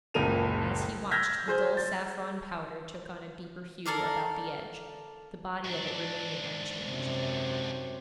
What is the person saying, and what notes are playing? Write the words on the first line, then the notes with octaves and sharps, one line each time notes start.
As he watched, the dull saffron powder took on a deeper hue about the edge, the body of it remaining unchanged.
F#1 C#2 A#2 A#4 D#7 F7
E6 F6 G6 G#6 A#6 B6
G#4 C5 G6
A6
A4 A#4 D5 F5
G#2 D4
F#2 C3